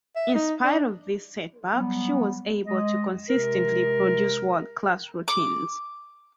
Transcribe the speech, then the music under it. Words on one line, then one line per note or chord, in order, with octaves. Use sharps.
In spite of this setback, she was able to consistently produce world-class routines.
E5
D#4
D4
F#3 G3 B3
G#3 D#5
C3 G#3 A#4
D6